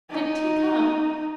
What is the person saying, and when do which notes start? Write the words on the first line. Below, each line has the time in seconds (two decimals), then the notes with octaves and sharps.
"Didn't he come?"
0.10 D#4